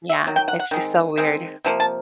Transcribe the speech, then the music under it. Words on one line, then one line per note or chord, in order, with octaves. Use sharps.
Yeah, it's just so weird.
E5
D#3 F#3
G5
F#5
F#5
D#3 G#3 C4
D#3 G#3 C4
C3 F3 A#3
A5